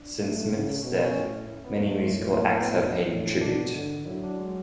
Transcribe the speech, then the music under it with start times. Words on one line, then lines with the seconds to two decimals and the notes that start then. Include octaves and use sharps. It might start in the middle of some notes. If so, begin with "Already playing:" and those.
Since Smith's death, many musical acts have paid him tribute.
Already playing: D4
0.18 A3
0.50 C#3
0.83 B2 C#4
0.95 B3
1.05 C#4
1.16 A2
1.48 E4
1.65 B3
1.80 G#2 A3
2.13 A2
2.45 B3
2.61 B3
2.77 D4
3.09 A2
3.41 B2 D4
3.75 D3
4.07 F#3 E4
4.24 D4
4.39 G#3